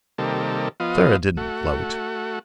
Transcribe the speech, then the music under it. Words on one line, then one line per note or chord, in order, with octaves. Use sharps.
Clara didn't gloat.
C3 D#3 G3 A#3 A4
F3 B3 F4 D#5
A3 F#4